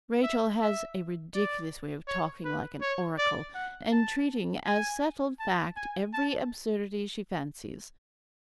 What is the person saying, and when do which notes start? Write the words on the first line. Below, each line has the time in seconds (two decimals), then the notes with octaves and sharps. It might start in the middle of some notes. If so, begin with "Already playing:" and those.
Rachel has a ridiculous way of talking like an oracle, and treating as settled fact every absurdity she fancies.
0.23 E5
0.61 E5
1.34 D5
2.08 C#5
2.45 B4
2.82 C#5
3.18 D5
3.55 F#5
3.92 A5
4.66 G#5
5.39 A5
5.76 G#5
6.13 A5